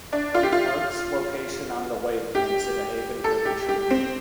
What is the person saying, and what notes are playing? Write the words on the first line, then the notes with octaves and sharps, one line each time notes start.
The park's location on the lake makes it a haven for fishermen.
D4
F4
G4
F4
G4
A4
G4
G4
C4